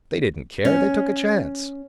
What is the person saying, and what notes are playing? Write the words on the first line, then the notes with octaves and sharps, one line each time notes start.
They didn't care! They took a chance.
C#4